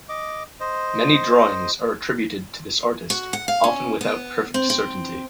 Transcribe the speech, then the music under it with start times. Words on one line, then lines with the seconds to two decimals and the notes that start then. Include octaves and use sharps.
Many drawings are attributed to this artist, often without perfect certainty.
0.09 D#5 D6
0.60 C5 D#5
3.10 F#4
3.33 F#5
3.48 F5
3.64 C#4
4.01 B3
4.54 C4
4.70 C4